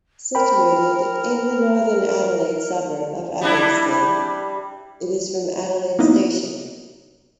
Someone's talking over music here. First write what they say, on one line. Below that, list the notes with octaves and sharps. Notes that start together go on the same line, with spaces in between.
Situated in the northern Adelaide suburb of Evanston, it is from Adelaide station.
A#4 C5 G5 B5
G3 D4 E4
A#3 B3 D#4 E4 B4 D#5